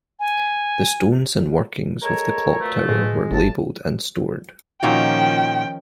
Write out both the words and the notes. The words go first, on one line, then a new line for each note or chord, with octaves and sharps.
The stones and workings of the clock tower were labelled and stored.
G#5
G#3 A4 A#4 C#5
B2 F3 A3
A2 G#3
G1 A2 A5
A#2 D#3 F3 C#4 D#4 F#4 G5